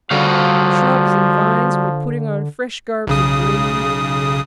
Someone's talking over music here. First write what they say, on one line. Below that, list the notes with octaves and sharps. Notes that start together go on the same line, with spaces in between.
Shrubs and vines were putting on fresh garbs of green.
D3 F3 G3 F#4 F5
B1 C#3 D#6